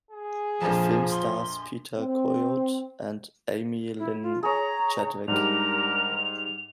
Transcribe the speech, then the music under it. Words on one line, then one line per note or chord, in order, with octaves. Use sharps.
The film stars Peter Coyote and Aimee Lynn Chadwick.
G#4
A#1 F2 F3 A5
C6
C4
E4
F4
G#4 C#5 A#5
G#2 G3 D4 G4 A#4 F7